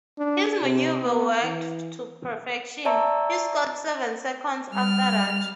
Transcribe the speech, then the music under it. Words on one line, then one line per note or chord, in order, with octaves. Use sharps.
His maneuver worked to perfection: He scored seven seconds after that.
D4
C3
B3
E3
D5 E5 A5 A#5 C#6 E6
G3 F6